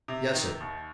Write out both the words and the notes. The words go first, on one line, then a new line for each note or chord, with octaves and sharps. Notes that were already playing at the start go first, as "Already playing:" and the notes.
"Yes, sir."
C3
D#3
D#2